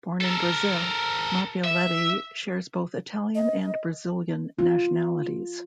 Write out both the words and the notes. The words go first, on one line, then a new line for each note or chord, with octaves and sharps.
Born in Brazil, Maffioletti shares both Italian and Brazilian nationalities.
A4 A#4
E5
D#5
F4